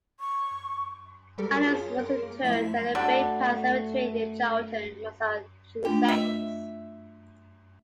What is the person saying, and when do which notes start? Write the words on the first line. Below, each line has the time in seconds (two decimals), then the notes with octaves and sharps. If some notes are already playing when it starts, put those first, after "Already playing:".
Adams was interred at the Bay Path Cemetery in Charlton, Massachusetts.
0.20 C#6
1.38 G3 F#4 G4 A4 A#4
1.63 F4 G4 G#4 C#5
2.00 A#4
2.23 A#3
2.42 F3 A3 E4 E5 B6
2.95 G3 A3 D4 F#4 A4
5.85 A3 D4 F4 G4
6.08 D#5 E5